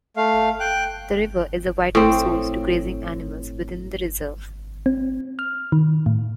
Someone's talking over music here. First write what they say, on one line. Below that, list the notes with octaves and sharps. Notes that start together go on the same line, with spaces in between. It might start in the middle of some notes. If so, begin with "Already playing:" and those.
The river is a vital source to grazing animals within the reserve.
A3 F5
G5 F#6
A2 C4
C4
F6
D#3
A2